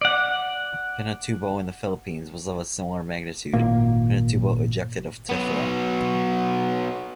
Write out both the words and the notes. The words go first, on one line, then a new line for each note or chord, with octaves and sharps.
Pinatubo in the Philippines was of a similar magnitude; Pinatubo ejected of tephra.
D5 F#5
G#1 A#2 A#3
F#3 B3